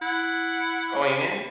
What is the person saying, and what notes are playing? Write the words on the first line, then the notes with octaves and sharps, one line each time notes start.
Going in?
E4 F#5